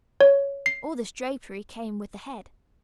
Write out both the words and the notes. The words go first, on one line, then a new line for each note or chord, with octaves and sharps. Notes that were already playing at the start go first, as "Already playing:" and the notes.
All this drapery came with the head.
C#5
C7